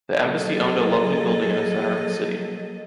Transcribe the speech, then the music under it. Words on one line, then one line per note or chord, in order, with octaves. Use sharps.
The embassy owned a lovely building in the center of the city.
F#3 A#3 G#4 A4 D#5